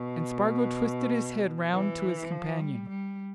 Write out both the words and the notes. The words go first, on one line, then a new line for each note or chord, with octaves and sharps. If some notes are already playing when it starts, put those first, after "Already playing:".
And Spargo twisted his head round to his companion.
Already playing: B2
E3
F3
G3
G3